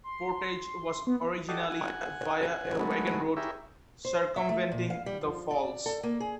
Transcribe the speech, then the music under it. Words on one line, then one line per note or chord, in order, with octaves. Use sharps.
Portage was originally via a wagon road circumventing the falls.
C6
B3
F#4 G4 A4 D5 D#5
F#5 G#5
F#3 G#3 A3 B3
E4 G4 G#4 A#4 C#5 E5
C5
E5
A3
A#2
F5
G3
F3
D5
A4
A#3
G#4